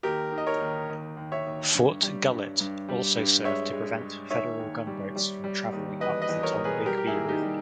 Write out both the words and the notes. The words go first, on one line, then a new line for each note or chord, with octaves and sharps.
Fort Gullett also served to prevent Federal gunboats from traveling up the Tombigbee River.
D#2 G4 A#4
D#3
D#5
A#4 C#5
D#2
D#2
D#2
C#5 E5
D#2
G2
G3
G2
G2
G3
G2
G#3 C#5 E5
G#3
G#3
D#3 C#5 E5
D#2
G3
G3
G3
D#2
E2 B4 D#5
B4 D#5
E2
A#4 C#5
B2
G#4 B4
G3 G4 A#4
G4
E4 G#4
D#2
D#4 G4
G3